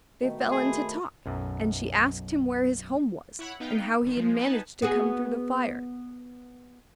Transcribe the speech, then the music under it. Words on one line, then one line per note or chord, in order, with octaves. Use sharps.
They fell into talk, and she asked him where his home was, and how he had managed to come through the fire.
B2 D#3 A3
G#4 B4
C5 A5 B5
B1 F#2
E4 C#5 F#5 B5
B3 D#4 F5 G5
G1 D#3
F3 G#3
B3 D#4 B4 G#5 A5
B3 F#4 G#4